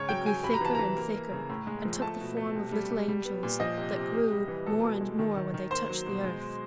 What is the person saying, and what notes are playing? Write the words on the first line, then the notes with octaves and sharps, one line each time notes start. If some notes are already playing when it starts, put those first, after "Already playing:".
It grew thicker and thicker, and took the form of little angels, that grew more and more when they touched the earth.
Already playing: G#2 C#3 C#5
F#3 G5
F#3 G#5
C3 B5
A#5
E3 A5
E3 A#5
A#3
A#3
C#3
A2
G#3
F3
A3 A5
B2
A3
C3
G3
G3
G3
B3
A#2
F3 D#5
C3
C3
C3
G3
E3
B2 A4
B2
G#3
D#3
D#3
D#3
A#3 C5
F#3
B2
G#3